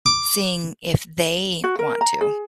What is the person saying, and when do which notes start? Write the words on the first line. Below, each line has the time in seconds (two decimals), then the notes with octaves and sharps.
seeing if they want to.
0.06 D6
1.64 F#4
1.79 A#4
2.01 A#5
2.21 G#4